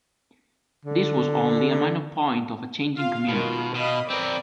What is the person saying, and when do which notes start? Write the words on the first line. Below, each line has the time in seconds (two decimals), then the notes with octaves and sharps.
This was only a minor point of a changing community.
0.85 D3
2.96 F4 F5
3.29 B2 D#3 F4
3.75 B2 D#5 F5 B5
4.10 C4 A#4 B4 D5